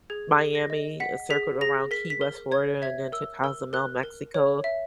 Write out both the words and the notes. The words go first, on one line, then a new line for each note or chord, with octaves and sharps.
Miami, it circled around Key West, Florida, and then to Cozumel, Mexico,
G#4 G#6
G#4
A#6
D#5
F#5 B6
G#4 B6
G#4 A#6
A#4 B6
B6
A#4
C#5 G#6
E5 G#6
A#4 E6
A#4 E6
A#4 F#6
A#4
C#5
E5